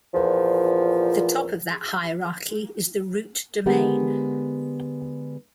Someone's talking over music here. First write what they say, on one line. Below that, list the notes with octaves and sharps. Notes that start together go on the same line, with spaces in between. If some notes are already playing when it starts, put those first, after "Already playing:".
The top of that hierarchy is the root domain.
E2 A#2 F3
D3 G#3 B3 G4 A#4 F#5